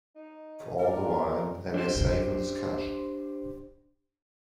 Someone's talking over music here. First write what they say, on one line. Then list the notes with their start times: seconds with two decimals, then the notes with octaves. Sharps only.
For all the while they lay safe in this cache.
0.16 D#4
0.79 A#2 A#4 D5
1.74 D4 G4 C5